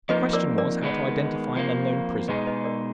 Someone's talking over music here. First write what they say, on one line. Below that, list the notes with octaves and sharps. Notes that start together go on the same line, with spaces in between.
The question was how to identify an unknown prisoner.
F2 F3 A#3 D#4 B4 D#5
A#4 D5
A#4 D5
D#3 G#3 B3
F2 F3 A#3
B2 G#3 D#4 G#4 B4 D#5
B4 D#5
A#4 D5